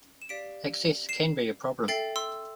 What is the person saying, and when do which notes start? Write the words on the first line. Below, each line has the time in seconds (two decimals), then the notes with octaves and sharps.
Access can be a problem.
0.22 E7
0.29 G4 D5 F5 B6 D7
1.09 C7 E7
1.88 A4 E5 G5 A6 C7
2.16 C6 E6